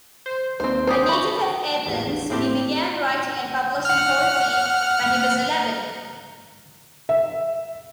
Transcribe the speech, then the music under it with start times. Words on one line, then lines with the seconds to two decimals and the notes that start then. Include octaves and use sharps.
A native of Athens, he began writing and publishing poetry when he was eleven.
0.26 C5
0.60 D#2 C4 C5
0.87 G4 G#4 C5
1.09 F#4 B5
1.87 A1 E2
2.30 A2 C4 G4
3.85 F#5 F6
7.09 E5